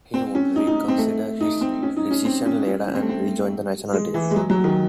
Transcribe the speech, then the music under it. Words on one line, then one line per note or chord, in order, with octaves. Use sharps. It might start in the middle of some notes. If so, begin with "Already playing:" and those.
He would reconsider his decision later and rejoin the national team.
C4
C#4
D#4
D#4
C4
A3
D#4
C4
C#4
D#4
C#4
C4
C#4
C#4
C#4
C4
A3
C4
G#3
E3
G#3
F#3
F#3
D#3